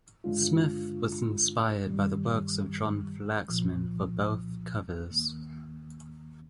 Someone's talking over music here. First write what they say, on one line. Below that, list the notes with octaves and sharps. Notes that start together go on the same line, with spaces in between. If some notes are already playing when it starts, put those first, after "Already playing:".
Smith was inspired by the works of John Flaxman for both covers.
G2 D3 G#3 D4 F4
G2 D#3 G3
C2 A#2 F3
D#2 D#3 A#3